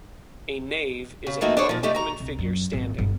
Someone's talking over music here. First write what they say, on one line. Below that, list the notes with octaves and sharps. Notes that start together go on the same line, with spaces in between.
A Knave is a lone human figure standing.
C#3
E3 A3 A#3 D#4 F#4
D4 G#4 C5 C#5
A#2 F3
G3 A3 D4 D#4 G4 A4
F#4 A#5
C2
F#2
G#1
G1